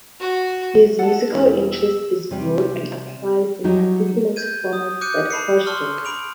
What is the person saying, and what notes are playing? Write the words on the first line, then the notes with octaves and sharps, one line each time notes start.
His musical interest is broad and applies in particular to formats that cross genres.
F#4
A4 F#5 A5
E1 E4
E6
C3 G3
F#3 G3 D#4
G6 G#6 D#7
D#6
D6 F#6 G6 C#7 D#7
A5 B5 C7 C#7
A5 C6 C#6 E6 F6
B5 D7 F7